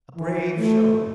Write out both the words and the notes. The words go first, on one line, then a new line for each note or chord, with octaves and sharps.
A brave show.
E3
A3